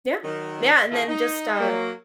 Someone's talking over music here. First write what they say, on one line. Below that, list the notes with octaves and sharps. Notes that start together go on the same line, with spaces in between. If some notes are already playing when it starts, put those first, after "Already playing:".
Yeah. Yeah, and then just, uh,
D#3 F#3
D3 D#3 A3 E4 F4 G#4
D#4
F#3 A#3